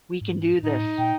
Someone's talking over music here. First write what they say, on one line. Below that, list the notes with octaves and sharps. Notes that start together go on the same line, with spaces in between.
We can do this.
G#2
A2 D#4
A#2 G5